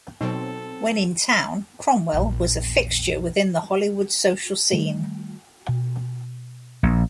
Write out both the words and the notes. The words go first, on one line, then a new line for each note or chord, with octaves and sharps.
When in town, Cromwell was a fixture within the Hollywood social scene.
B2 F#3 C4 D#4 A4 C5
A#1 E2
D#3 G3 A3
B2
A#1